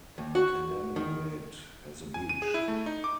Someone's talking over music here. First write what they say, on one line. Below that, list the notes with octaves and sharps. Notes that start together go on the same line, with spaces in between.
Calanguate has a beach.
D#2
F#4
D#3
G#5
D#7
G#4
E4
A3
D#4
D6